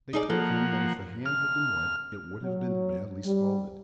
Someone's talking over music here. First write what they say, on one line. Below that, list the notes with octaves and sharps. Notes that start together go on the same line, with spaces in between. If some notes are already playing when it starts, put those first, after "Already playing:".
They told him that if the hand had been wet it would have been badly scalded.
D#4 G#4 D5
F3 A#3 A4 F#5
F6
F#3
G3